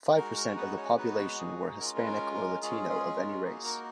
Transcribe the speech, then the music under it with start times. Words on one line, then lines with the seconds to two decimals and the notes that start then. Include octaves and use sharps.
Five percent of the population were Hispanic or Latino of any race.
0.15 G#3 D#4 F#4 A#4
0.36 A#4
0.57 B3 B4
0.76 C#4 C#5
0.97 G#3 B3 D#4 F#4 B4
1.38 G#4
1.79 G#3 C#4 F4 A#4
1.98 B4
2.06 A#4
2.34 A#4
2.62 G#3 C#4 F4 G#4
2.89 G#4
3.16 A#4
3.44 A#3 D#4 F#4 G#4
3.65 A#4